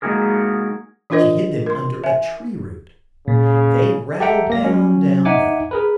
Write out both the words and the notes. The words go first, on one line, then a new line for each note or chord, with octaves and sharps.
She hid them under a tree root; they rattled down, down, down.
G#3 A#3 D#4 F#4 G#4 A#4
E3 D4 F4 A#4 C5 D#5
A#4 C6
E5 G#5
A#2 C#3
G4 A4 E5 F#5 G5 A#5
A#3 A#6
F#3 C#4
D#4 E5 F#5 G#5 D6
G#4 A#4 B4